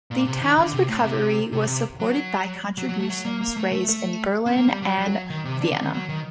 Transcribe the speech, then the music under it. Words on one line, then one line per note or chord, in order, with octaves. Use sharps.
The town's recovery was supported by contributions raised in Berlin and Vienna.
A#2
C3
D#3
D3
C3
A2
C3
C3
C3
F#3
F#3
F#3
A3
F#3
A#3
A#3
A3
A3
A3
C4
A#3
G3
F#3
F#3
D#3
C3
D3
D3
D#3
F#3
D#3